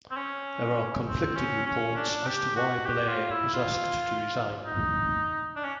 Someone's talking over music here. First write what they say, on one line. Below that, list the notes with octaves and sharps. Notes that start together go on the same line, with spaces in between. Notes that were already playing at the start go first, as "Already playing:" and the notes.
There are conflicting reports as to why Blair was asked to resign.
C4
C#4
C4
C#4
C#4
D4
G4
F#4
G4
F4
E4
F4
D#4
D4
C#4